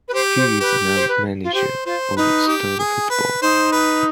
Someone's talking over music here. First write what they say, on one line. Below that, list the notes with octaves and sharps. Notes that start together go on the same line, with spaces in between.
He is now manager of Stord Fotball.
B4
G4 C5
C5
G4 B4
C5
B4
F4
G4 C5
F4 C5
D#4 B4
G4
G#4
B4
D#4 C5
B4